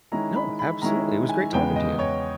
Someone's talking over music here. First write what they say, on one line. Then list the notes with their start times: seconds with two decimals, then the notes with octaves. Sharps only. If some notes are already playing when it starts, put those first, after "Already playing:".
No, absolutely, it was great talking to you.
0.12 D#3 G#3 C#4 E4 A#5
0.36 B5
0.59 B5
0.82 D#3 G#3 C#4 E4 A#5
1.29 G#5
1.53 E2 C#3 G#3 B3 G5
1.76 D#5
1.99 C#5